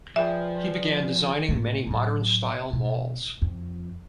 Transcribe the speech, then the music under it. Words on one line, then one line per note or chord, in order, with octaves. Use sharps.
He began designing many modern-style malls.
F3 G#4 B4 D5 E5 G5
A2 A3
A2 F#3
B2
F2